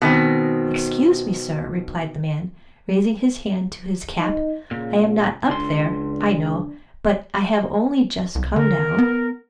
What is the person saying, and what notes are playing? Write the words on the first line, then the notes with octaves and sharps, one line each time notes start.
"Excuse me, sir," replied the man, raising his hand to his cap; "I am not up there, I know, but I have only just come down."
B2 D#3 C4
D#4
A#2 C#3
C#2 D4 C6
C2
D3 A#4
B3